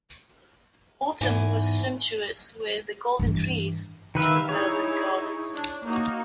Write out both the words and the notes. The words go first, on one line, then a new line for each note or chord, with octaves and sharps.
Autumn was sumptuous with the golden trees in the Meudon gardens.
E2 G#2 G#5
G2 E3
D#3 B4 E5 F5
D#4 E4 G#4 C#5
D4
A#3 D#4 F#4